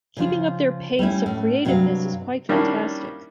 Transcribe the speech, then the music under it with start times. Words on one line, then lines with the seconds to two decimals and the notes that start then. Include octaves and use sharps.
Keeping up their pace of creativeness is quite fantastic.
0.17 C#3 F3 F4
0.99 G3 A3 C#4 E4
1.26 A2 C#4
1.65 G2 C3 F#3 A#3 F#4 F5
2.49 D#3 G3 A#3 C#4 D4 E4